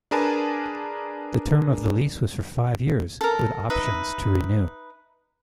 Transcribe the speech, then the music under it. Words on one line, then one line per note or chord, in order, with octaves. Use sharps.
The term of the lease was for five years, with options to renew.
D4 G#4 A#4 B4 G#5 A5
A4 A#4
D#4 B4 E5